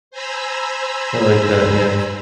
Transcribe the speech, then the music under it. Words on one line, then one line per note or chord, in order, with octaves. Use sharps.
I like that, yeah.
C5 G#5 A#5 B5 E6